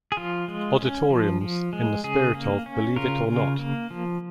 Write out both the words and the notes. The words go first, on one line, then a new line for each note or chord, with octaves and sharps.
Odditoriums, in the spirit of Believe It or Not!
G#4
F3 F4
G#3
C#4
F3
F3
G#3
C#3 G#4
A#3
C#4
C#3 F4 A#4
C#3
A#3
F3